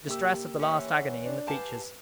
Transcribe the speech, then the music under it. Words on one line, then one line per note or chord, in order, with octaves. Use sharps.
The distress of the last agony in the features.
C3 A#3 G4 E6
E3 C4 C#4
F#5
D4
G4 B4 F5 G#5 A5